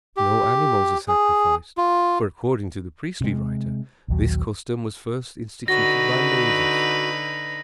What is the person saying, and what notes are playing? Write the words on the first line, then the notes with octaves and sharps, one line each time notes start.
No animals are sacrificed, for according to the priestly writer this custom was first instituted by Moses.
G4
G#4
F4
C3 G#3
A#1 D#2 F#3
D3 D#4 F#4 B4 A#6